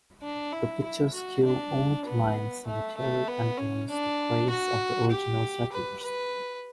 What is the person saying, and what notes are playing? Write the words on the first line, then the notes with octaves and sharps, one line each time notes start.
The picturesque Old Lyme Cemetery contains the graves of the original settlers.
D4
E4
E4
F#4
D4
B3
A3
A3
B3
C#4
D4
F#4
G4
B4
B4